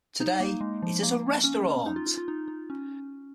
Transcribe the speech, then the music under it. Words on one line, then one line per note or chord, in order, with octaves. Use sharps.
Today it is a restaurant.
D#4
A#3
G#3
F3
A#3
C#4
D#4
F4
F4
F4
D#4
D#4
C#4